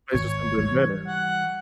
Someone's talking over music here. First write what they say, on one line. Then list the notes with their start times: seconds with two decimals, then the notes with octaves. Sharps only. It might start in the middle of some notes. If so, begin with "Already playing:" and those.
replaced with something better
0.14 G#1 C#5
0.57 E3 G3
1.07 F#5